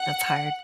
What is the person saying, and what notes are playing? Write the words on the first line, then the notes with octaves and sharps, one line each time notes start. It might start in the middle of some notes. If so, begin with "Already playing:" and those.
that's hard.
Already playing: F#5